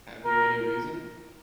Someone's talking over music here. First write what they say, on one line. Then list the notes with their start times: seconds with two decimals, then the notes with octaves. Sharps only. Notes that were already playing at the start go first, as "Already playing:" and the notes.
Have you any reason?
0.24 A#4